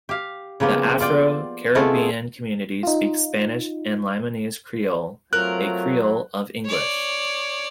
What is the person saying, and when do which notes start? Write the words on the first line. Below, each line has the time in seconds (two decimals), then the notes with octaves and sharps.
The Afro-Caribbean community speaks Spanish and Limonese Creole, a creole of English.
0.09 G4 F5
0.60 C#3 F3 A#3 B3
1.00 F4 D5 G5
1.75 G#3 A3 B3 C4 E4 F4
2.83 D#4 F4
5.33 F#3 A3 C4 F4 A#4 F#6
6.65 C#5 D5